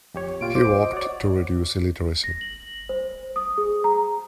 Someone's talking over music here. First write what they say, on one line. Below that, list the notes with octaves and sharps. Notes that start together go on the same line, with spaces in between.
He worked to reduce illiteracy.
F2 G4 C#5
A#2 F4 G4 D7
C5 D6
D#5
F#4 C#5 D5
A#6
F#7
C5
D#6
G#4
A#5